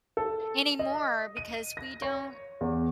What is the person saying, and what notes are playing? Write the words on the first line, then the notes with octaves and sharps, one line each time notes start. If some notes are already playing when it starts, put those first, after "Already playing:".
anymore, because we don't
A4
D#5
D#7
A#6
C#5
E2